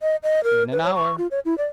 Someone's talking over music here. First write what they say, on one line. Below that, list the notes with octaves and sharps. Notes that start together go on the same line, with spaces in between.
"In an hour."
D#5
D#5
A#4
B4
C#5
C#6
F4
C#5
E4
D5